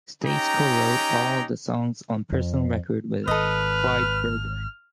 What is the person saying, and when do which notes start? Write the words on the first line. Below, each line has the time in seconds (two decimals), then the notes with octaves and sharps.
Stace co-wrote all of the songs on Personal Record with Friedberger.
0.24 C#4 D#4 G4 G5 A#5
2.32 F2
3.28 G#1 A4 B4 D#5 F6